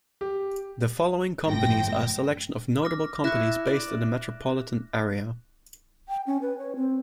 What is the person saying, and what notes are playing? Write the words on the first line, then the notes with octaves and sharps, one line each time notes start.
The following companies are a selection of notable companies based in the metropolitan area.
G4
G1 A2 F3 G5 A#6
D6 F6 A#6
E4 C#6 F#6 A#6 E7
D5
G5
C#4
B4
C#5
C4